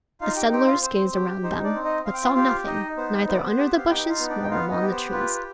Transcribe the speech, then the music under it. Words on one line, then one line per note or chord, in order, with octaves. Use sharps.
The settlers gazed around them, but saw nothing, neither under the bushes nor among the trees.
D#4 F4 F5
G4 G5
C4 G4 G5
F4 F5
C4 C5
G4
D#4 C5
D4 D5
C4
D#4 D#5
C4 F5
G5
F4 F5
F4 G4 F5
D#4 D#5
B3 C5
B3 C5
D5
C5
G4
F5
D#4 G4 G5
F4 F5
B3
D4 D5
G5
B3 F4 F5
D#4 D#5
G4
C5
F4 B4
B4